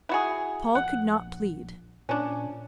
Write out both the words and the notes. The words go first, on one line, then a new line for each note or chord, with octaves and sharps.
Paul could not plead.
E4 F#4 G#4
A#1 F#5
A#2 C#4 D4